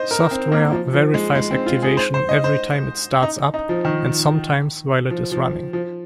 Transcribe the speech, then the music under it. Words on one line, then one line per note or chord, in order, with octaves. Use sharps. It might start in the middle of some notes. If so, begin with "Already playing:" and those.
Software verifies activation every time it starts up, and sometimes while it is running.
Already playing: C5 D#5
A#4
C4
A#3
F3
F3
G#3
G#3
C4
F4
G#4
C5
C5
D#5
C5
D#4
D#4
F3
D#3
F3
F3
F3